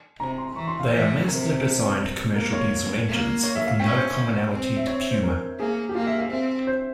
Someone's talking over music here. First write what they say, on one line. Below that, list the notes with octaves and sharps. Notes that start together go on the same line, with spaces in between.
They are Mazda designed commercial Diesel engines with no commonality to Puma.
C3 A#5
C6
E3 C#6
C6
F5
E3 C5
C3 A#4
A#3 A#4
C#5
A#3
C#5
E5
F5
C#4 G5
C5
C4
E5
C#5
E5
C5
A#4
A#3 G#4
G4
A#3 F4
E5
F5
C4 E5
C5